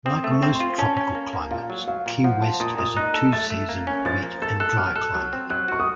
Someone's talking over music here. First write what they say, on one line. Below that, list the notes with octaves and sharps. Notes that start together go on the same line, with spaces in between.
Like most tropical climates, Key West has a two-season wet and dry climate.
C4 D#6
A3
C#6
C4
C6
F4
C#4 A5
C#4
A#3
A#3
A#2 F5
F#3
F#3 F5
A#2
F3 F#5
F4 A5
A#2 D#6
A#2 D#6
D#4 F#6
A4
A3 A6
A3
A#3
C#4
F3 A6
A#3
A4 A6
A4 F#6
F#3 F6
A4 F#6
F#3 F#6
C4
F#3 F#6
F#4 C#6
D#6